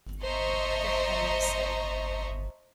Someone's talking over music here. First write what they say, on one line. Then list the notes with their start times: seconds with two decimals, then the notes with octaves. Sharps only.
The hell you say!
0.22 C5 D#5 E5 A5 A#5 C#6